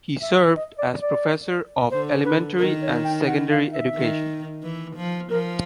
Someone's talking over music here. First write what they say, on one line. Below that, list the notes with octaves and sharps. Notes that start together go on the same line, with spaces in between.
He served as Professor of Elementary and Secondary Education.
E5
D#5
D5
D5
D3 C5
B4
D#3 A#4
C#5
G5
F#5
F5
E5
D#3
E3
F3
F3 A#4